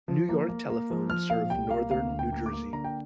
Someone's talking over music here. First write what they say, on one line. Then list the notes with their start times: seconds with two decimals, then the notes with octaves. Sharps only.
New York Telephone served northern New Jersey.
0.08 F3
0.29 A#3
0.49 A#3
0.70 A#3
0.90 F3
1.10 F3 F6
1.30 A#2 F5
1.50 C2 G5
1.70 A#3 F5
1.91 D2 F5
2.11 D2
2.19 G5
2.32 A#3
2.46 D6
2.53 A#3
2.73 D3 A#5
2.84 G5